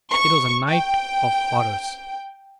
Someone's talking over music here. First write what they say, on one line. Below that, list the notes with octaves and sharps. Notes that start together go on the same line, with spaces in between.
It was a night of horrors.
C#6
G5